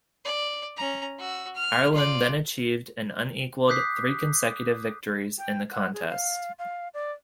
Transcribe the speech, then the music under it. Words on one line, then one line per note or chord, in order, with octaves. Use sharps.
Ireland then achieved an unequalled three consecutive victories in the contest.
D5
C#4 A#5
F#4 E6
F6
F4 D5
D6 D#6 F#6 G6 B6 C7
G5
F#5
G#4
F5
F5
D5